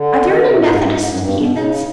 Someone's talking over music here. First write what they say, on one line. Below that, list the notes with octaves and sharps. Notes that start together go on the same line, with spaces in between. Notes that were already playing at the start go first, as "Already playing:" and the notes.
Are there any Methodist heathen?
Already playing: D3
D#3
D3
C3
A#2
G#2
G2
G#2
G#2
F#2
G2
B2
C#3